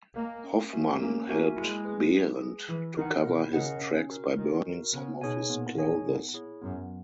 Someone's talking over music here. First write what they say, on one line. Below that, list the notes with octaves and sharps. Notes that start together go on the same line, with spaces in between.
Hoffmann helped Behrendt to cover his tracks by burning some of his clothes.
A#3 D#5 G#5
C#4
F#4 A#4 E5 G#5
A#3 C#4
A#3 F#4 A#4 E5 G#5
G#3 E4
G#4 B4
E4
G#4 B4
E3 E4
D#3 A#4 D#5 F#5
B2 E4
C#3 A#4 D#5 F#5
C#4
F#4 A#4
D#3 C#4
F#4 A#4
C#3 B3
B2 D#4 G#4 C#5 G#5
A#2 B3
D#4 G#4 C#5 G#5
B3
E4 G#4 C#5
F#2 B3